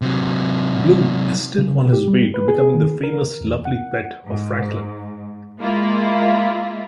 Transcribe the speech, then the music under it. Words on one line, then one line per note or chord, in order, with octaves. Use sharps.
Blu is still on his way to becoming the famous lovely pet of Franklin.
C3 F#3
C#3
G4
G3
B4
G#4
D#3
A#4
E2
F#5
G#2
G#3 A#3 E4 F4